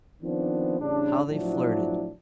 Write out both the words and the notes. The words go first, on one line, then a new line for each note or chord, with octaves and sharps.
How they flirted!
D#3 F3 B3 C4 D4
A1 C#3 D4
A2 F3 F#3 D4 E4